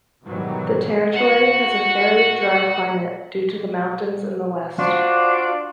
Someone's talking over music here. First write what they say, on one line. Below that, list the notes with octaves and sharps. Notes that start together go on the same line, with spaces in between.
The Territory has a fairly dry climate due to the mountains in the west.
G#2 B2 D#3 E3 F#3 G3
F#4 F#5
D4 F4 F#4 C5 D5